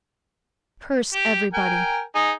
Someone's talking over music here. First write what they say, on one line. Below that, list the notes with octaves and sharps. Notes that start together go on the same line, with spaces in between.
Curse everybody!
G4
A#4 G5 G#5
D#4 G#4